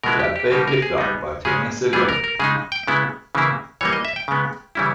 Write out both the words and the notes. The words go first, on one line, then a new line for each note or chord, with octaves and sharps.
The upbeat "Lift Off" by Tina Sugandh.
B2 G#3 B3 E4 A#4
G4
G4
B2 G3 A#3 D#4 G4
A#4
G#4
G3 B3 D#4
C#3 G#3 C#4 G#4
E3 G3 B3 G#4
A#4
A#4
C#3 G#3 D#4 G#4
G5
C#3 G#3 B3 E4
C#3 E3 A#3 E4
E3 G3 A#3 C#5
D#5
E5
G5
C#3 G#3 B3
C#3 E3 G3 C#4 E4